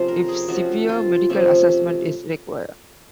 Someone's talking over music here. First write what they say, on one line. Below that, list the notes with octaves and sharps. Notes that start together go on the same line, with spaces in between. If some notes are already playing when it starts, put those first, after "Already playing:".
If severe, medical assessment is required.
Already playing: C3 F3 A3 C#4 C5
A#4
G#4
C3 F3 A3 C#4 F#4
F4
C3 F3 A3 C#4